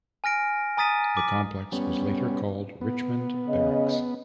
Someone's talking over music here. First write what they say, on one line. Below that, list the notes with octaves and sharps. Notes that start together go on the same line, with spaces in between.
The complex was later called Richmond Barracks.
G#5 F6 A#6 D7
G#5 A#5 D#6 A6 B6 D#7
D6 B6
G3 B3 C#4
B3
C#3 D#5